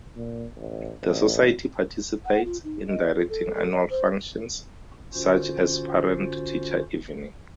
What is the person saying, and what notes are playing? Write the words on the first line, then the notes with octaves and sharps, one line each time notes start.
The Society participates in directing annual functions such as "Parent-Teacher Evening".
A#2
A1
A1
F#5
F4
D#4
D#5
F4
A4
A4
D#5
C5
D3 C#4 F4 F#4 C5